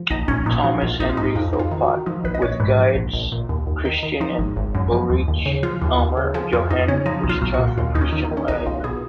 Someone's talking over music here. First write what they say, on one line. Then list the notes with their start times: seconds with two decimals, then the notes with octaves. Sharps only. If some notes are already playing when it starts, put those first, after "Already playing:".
Thomas Henry Philpot, with guides Christian and Ulrich Almer, Johann Bischof, and Christian Lauener.
Already playing: F3
0.10 A#1 D#4
0.28 A#1 C#4
0.46 A#2 D#4
0.64 F3 F#4
0.81 A#1 F4
1.00 A#1 D#4
1.09 F4
1.17 G#2 D#4
1.35 F2 D#4
1.53 F2
1.59 F4
1.71 D#3
1.83 F#4
1.88 D#3
2.06 F3 D#4
2.24 A#1 B4
2.35 D#5
2.42 A#1 C#5
2.60 G#2 B4
2.78 F3
2.95 A#1
3.13 A#1
3.32 A#2
3.49 D#2
3.67 D#2
3.85 D#3
4.03 D#3
4.20 F3 D#4
4.39 G#1
4.56 G#1
4.75 F#2
4.92 F3
5.10 D#2
5.28 D#2
5.46 C#3
5.63 F3 F4
5.82 D#2
5.98 D#2
6.17 C#3
6.34 F3 G#4
6.53 F2 F4
6.71 F2 D#4
6.88 C#3 C#4
7.06 F3 D#4
7.24 B1
7.29 F4
7.42 B1
7.54 F#4
7.59 A#2
7.78 D#2 F4
7.95 D#2 D#4
8.01 C#4
8.13 D#3
8.25 D#4
8.31 D#3
8.37 C#4
8.48 B1 D#4
8.66 B1 F4
8.84 B2 G#4